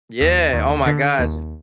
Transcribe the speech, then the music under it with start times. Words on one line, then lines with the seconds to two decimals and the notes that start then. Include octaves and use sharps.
Yeah! Oh, my gosh.
0.21 D#2
0.53 D#2
0.86 D3
1.19 D#2